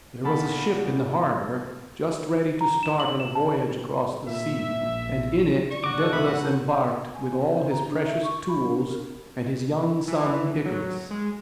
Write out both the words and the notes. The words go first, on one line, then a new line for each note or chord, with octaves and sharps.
There was a ship in the harbor just ready to start on a voyage across the sea, and in it Daedalus embarked with all his precious tools and his young son Icarus.
E2 A#2 A4 A5 B5
A#5
E7
F#7
E7
A5
A#2 E5
A#1
D5 C#6
D3 F#4 D6
A4 D#5 E6 F#6
F1 E5 B5
A#4 F#5
D4 A4 A#4 G6
G#5
C4
C5
A#5
D4
E5
C#6
B5
D4
A#4
E3
F#3
G#3